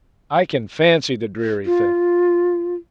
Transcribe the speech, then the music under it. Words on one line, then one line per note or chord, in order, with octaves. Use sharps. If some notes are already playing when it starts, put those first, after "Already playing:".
"I can fancy the dreary thing!"
F4